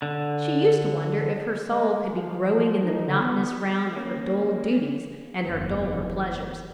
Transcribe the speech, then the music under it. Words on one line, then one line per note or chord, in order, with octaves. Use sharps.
She used to wonder if her soul could be growing in the monotonous round of her dull duties and her duller pleasures.
D3
G#3
F3
F3
D#4
D3
B3
A#3 C#4
F#1 E2